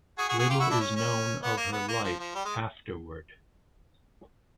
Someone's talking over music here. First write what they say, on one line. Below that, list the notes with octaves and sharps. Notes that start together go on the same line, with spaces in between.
Little is known of her life afterward.
F#4 G#4
F#4 G#4
F#4 G#4
F4 G4
E4 F#4
D4 E4
C#4
C#4
B3
A#3
B3
A#3
F3
F3
G3
G#3